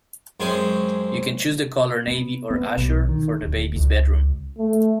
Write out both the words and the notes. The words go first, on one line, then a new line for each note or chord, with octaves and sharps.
You can choose the colour Navy or Azure for the baby's bedroom.
F#2 G#3 C4 C#4 G#4
B3
B3
B1
D#3
D1
C#2
A3